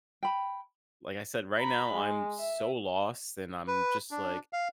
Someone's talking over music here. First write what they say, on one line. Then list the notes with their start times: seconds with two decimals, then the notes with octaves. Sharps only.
like I said, right now, I'm so lost, and I'm just, like,
0.23 G5 B5
1.59 A#5 B5
1.93 G#3
2.40 E5
3.68 B4
4.11 D4
4.53 F5